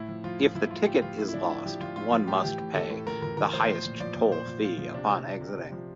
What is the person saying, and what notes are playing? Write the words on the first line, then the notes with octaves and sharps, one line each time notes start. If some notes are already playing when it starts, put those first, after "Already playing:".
If the ticket is lost, one must pay the highest toll fee upon exiting.
Already playing: A2 E4
F3
F3 F4
A2
F3 E4
F3 F4
A2 G4
F3 F4
A2 E4
E4
F3 D4
A2 E4
F3 G4
F3 F4
A2 F4
F3 F4
A2 G4
E3 G4
A2
E3 A4
A2
A2 A#4
E3 A#4
E3 A#4
A2 C5
F3 C5
A#2
F3 D5
A#2
A#2 C5
A#2
F3 F4
F3
C3 D4
C3
C3
C3
C3
F3